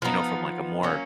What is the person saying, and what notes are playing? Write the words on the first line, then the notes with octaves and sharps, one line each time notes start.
you know, from, like, a more
F3 B3 D#4
F#3 A#3 C#4